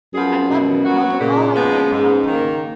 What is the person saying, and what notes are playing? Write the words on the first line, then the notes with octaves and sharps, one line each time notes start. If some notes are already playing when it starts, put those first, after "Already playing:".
I love you, and I'll do all I can to help you.
F#2 F3 B3 F4 G#4
B2
F#3 B3 F#4
A#2 C#3
F3 G#3 B3
G#2
D#3 A#3